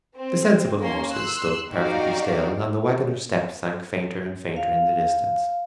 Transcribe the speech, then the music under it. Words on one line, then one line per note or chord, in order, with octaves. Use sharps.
The sensible horses stood--perfectly still, and the waggoner's steps sank fainter and fainter in the distance.
C4
A#3 C#4 C6
C6 E6 F#6
D#4 F#4 G4 D5 F5
F5